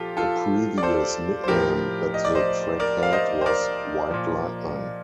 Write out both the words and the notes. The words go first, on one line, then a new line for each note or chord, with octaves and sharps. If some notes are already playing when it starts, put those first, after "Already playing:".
A previous nickname that the track had was White Lightning.
Already playing: A#2 F3 F4 G4 A4
F4 A4
D5
A4 C5
C5
A2 F3 G4 A#4
D#5
D5
C5 D#5
A#4 D5
F5
C5 D#5
C5
A#4 D5
A#2 F3